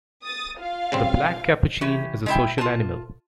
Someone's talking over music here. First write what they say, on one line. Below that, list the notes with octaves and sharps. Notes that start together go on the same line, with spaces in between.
The black capuchin is a social animal.
D#6 A6
F4 F5
C#3 G3 C4
E3 C#4 G4
G#3 E4 G5
F4 A5